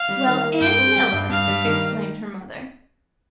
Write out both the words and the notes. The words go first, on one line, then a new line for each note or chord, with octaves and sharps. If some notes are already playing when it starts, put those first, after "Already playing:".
"Well, Annie Miller!" exclaimed her mother.
Already playing: F5
G3
D#3
A#3
G2 G5
C4
G3
G2
G2 F5
G3
D#3